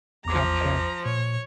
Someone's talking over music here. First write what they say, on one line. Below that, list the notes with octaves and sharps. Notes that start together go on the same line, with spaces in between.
I wanna
A1 E2 F3 A#5 D6
A#2 C#5